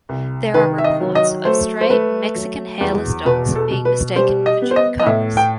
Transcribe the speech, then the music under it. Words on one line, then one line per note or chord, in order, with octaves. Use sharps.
There are reports of stray Mexican Hairless Dogs being mistaken for chupacabras.
C2
D#3 B4
E5
D#5
F#3
D#5
A3 C5
C5
A3 B4
F#3
E2
B2 B4
A4
B2
B4
G3 C5
D#5
B3
C5
D#5
D#5
A2 E5
G5